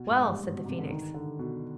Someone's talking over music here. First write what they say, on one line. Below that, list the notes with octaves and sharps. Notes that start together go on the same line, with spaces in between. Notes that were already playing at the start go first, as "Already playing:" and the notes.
'Well!' said the Phoenix.
Already playing: B2
G#2
G2
G#2
B2
C3
D3
D#3
D3
B2